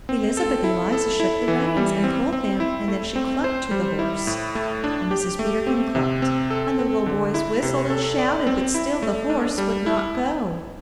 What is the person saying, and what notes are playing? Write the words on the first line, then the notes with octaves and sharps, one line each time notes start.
Elizabeth Eliza shook the reins, and pulled them, and then she clucked to the horse; and Mrs. Peterkin clucked; and the little boys whistled and shouted; but still the horse would not go.
C4
A4
E4
A4
E4
E3
G3
C4
C4
E4
A3
C4
C5
G3
E4
A2
A3
D4
G4
A3
C4
C3
C4
A4
C4
D3
E4
C3
A4
D5
C4
E4
A3
D4
G3
E4